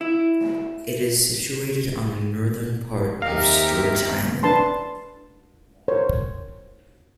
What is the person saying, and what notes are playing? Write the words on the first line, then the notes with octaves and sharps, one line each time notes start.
It is situated on the northern part of Sturge Island.
E4
D#2 C4 D#4 G4 A#4 E5 F5
D4 B4 A5 C6
A#4 C5 C#5